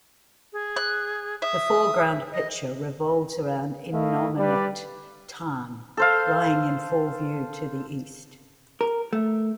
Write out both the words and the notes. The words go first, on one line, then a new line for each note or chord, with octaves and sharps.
The foreground picture revolves around Innominate Tarn, lying in full view to the east.
G#4
F#6
E5 D#6
D#5
A3 E4 D#5 F5
G3 B4 D5
A4 C5 F5
A#4
A3